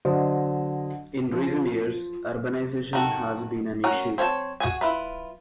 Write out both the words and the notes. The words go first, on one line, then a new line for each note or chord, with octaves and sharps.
In recent years, urbanization has been an issue.
D3 F#3 C5 D#5
F3
D#3 F#4 A4
C#4 F#4 A#4 F#5
C4 C#5 F5 A5
F#4 G#4 G#5
E4 F4 B4